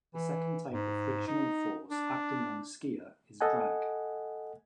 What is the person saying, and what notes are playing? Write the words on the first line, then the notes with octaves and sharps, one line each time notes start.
The second type of frictional force acting on a skier is drag.
E3
G#2
D#4
D4
A4 D#5 F#5 G#5